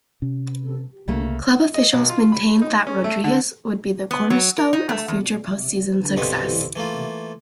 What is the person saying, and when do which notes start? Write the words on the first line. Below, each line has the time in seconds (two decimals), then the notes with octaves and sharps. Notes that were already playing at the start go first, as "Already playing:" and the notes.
Club officials maintained that Rodriguez would be the cornerstone of future postseason success.
0.22 C3 C#4
1.08 C2 C#3 A3 A#3
1.74 D#5
1.93 B1
2.10 F4
2.32 B5
2.62 D#4
2.87 C#4
3.04 A3
3.24 D3
4.11 B3
4.30 F#3
4.58 A#4
4.73 D#4
4.89 A3
5.08 E2
6.16 C2 G2 B2 D3 C4 B4
6.76 E3 A3 A#3 F4